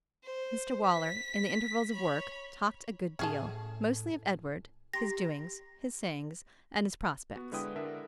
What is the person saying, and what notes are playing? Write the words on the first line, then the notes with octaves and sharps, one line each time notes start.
Mr Waller, in the intervals of work, talked a good deal, mostly of Edward, his doings, his sayings, and his prospects.
C5
B6
C#5 B5
A2 C#4 G#4 A5
G4 A#5 C6 A#6
B3 F#4
D3 G#3 E4 B4 G5 D#6
D3 D4 A#4 E5